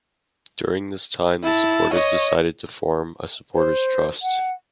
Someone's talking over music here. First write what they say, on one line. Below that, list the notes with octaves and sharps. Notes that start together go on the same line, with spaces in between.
During this time, the supporters decided to form a supporters trust.
E4 A5
C#5 D#5
C5
F#5